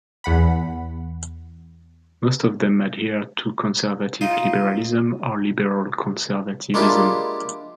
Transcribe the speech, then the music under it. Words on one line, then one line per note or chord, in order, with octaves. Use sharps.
Most of them adhere to conservative liberalism or liberal conservativism.
E2 F#5 B5
D#4 F4
G#3 A#3 D4 E4 F4 G4